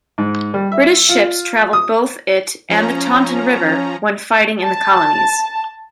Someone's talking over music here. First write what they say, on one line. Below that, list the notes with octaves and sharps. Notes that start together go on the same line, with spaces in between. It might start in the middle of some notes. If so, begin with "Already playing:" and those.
British ships travelled both it and the Taunton River when fighting in the colonies.
G#2
G3
E5
F4
D#6
F3 C#4 A#5
A5